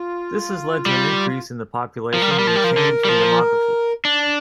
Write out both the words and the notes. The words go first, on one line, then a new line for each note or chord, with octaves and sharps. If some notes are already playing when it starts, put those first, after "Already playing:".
This has led to an increase in the population and change in demography.
Already playing: F4
G3
F3 A#4
G3
F3
G3
F3
G3
F3
D3
G3
F3
D4